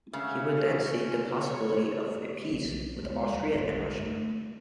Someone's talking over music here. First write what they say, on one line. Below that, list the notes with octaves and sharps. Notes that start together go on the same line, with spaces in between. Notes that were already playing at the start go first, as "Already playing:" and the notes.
He would then seek the possibility of a peace with Austria and Russia.
D2 C#3 F#3 E5
C#4
C#5
B1 F3
D#2 G#3 A3 B3
D#2 G3
F1 B1 G2 D3
A3